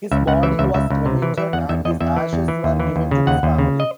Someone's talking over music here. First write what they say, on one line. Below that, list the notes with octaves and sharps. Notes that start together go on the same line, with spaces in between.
His body was cremated and his ashes were given to his family.
C#2 E5
C#2 F#5
E3 E5
C#2 E5
C#2 E5
C#2
C3
E3
E3 E5
E2 F#5
E2 E5
E2 D#5
E2 E5
E3
E2
E3
D#2
E3
D#2
C#3
D#2 F#5
D#2
C#3
D#5